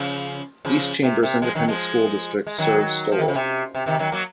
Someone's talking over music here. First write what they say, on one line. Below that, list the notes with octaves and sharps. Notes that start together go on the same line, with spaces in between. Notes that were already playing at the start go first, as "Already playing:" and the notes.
East Chambers Independent School District serves Stowell.
Already playing: C#3 F3
C#3 F3
C3
C3
F3 G#3
D#3 F#3
F3 G#3
G#3
D#3 F#3
F3
D#3
C#3
C3
C3
C3 D#3
D#3 F#3
F#3 A#3